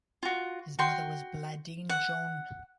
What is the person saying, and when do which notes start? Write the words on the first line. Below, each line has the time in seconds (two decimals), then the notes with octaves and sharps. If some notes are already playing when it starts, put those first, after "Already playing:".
His mother was Bladine John.
0.23 F4 F#4
0.79 F#4 G5 C6
1.89 F#5